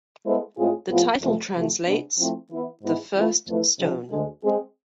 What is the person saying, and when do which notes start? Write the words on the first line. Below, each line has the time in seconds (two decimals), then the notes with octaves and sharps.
The title translates "The first stone".
0.25 G#3 B3 E4 A4 C5
0.57 A2 G#3 C4 F4 G#4
0.89 A2 F3 B3 F4 G#4
1.21 F2 C3 E3 A3
1.53 C3 F3 A3
1.85 C3 G#3 B3 D4
2.17 F3 A3 C4 E4
2.49 E3 B3 E4
2.82 G#2 G#3 B3 E4
3.14 E3 A3 C4 F4 B4
3.46 F2 E3 A3 E4 B4
3.78 C3 F3 G#3 D4
4.10 D2 D3 G#3 D4 A4
4.43 G#3 C4 G#4